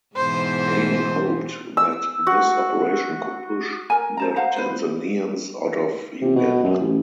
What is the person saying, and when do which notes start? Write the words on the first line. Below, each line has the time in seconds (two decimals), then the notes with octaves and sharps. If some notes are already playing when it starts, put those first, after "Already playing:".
Amin hoped that this operation could push the Tanzanians out of Uganda.
0.16 G#2 B2 E3 C5
1.77 E6
2.27 F#4
3.90 A#4 G#5
4.17 C5 A5 A#5
4.36 C5 F5 F#5 A#5
4.56 B4 C5
6.22 C3
6.35 B2
6.64 F#2
6.80 A1